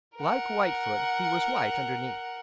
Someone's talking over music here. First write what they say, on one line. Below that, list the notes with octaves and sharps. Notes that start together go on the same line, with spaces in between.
Like Whitefoot he was white underneath.
A#4 F#5